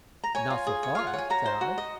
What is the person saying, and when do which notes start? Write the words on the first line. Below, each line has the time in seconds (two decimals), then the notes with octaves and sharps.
"Not so far," said I.
0.24 A#5
0.35 C#5 G#5
0.50 F4
0.67 G#4
0.83 C#5
0.95 F4 F5
1.07 F#5
1.13 C#5 G#5
1.30 F#4 A#5
1.46 C5
1.61 F#4
1.78 D#5